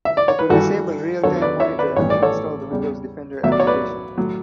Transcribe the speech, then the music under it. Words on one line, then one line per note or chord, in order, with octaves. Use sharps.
It will disable real time monitor and uninstall the Windows Defender application.
E5
D5
C#5
B4
G2 E3 G3 F#4 A4
E2 D3 F#3 B3 A4 C#5
B4 D5
C#5 E5
B4 D5
A1 G2 E3 B3 C#5
D5
A4 C#5
E2 C#3 G3
B1 A2 F#3 B3 E5
D5
C#5
B4 D5
A2 F#3